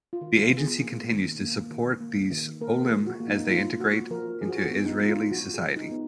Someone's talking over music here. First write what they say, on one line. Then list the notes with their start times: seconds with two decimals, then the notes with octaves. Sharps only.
The Agency continues to support these "olim" as they integrate into Israeli society.
0.13 F4
0.21 D#3
0.35 F4
0.50 B3
0.58 G#4
0.81 A#3
1.11 D#3
1.40 A#3
1.71 D#3
2.01 A#3
2.30 D#3
2.61 A#3 A#4
2.83 G#4
2.91 F3
3.06 F#4
3.20 A#3
3.28 D#4
3.50 F3 F4
3.80 A#3 F#4
4.10 F3 A#4
4.41 F3 G#4
4.49 F#4
4.56 G#4
4.63 F#4
4.71 B3
4.85 D#4
5.01 G#3
5.08 F4
5.30 F3 F#4
5.54 G#4
5.61 F3
5.76 D#4
5.91 B3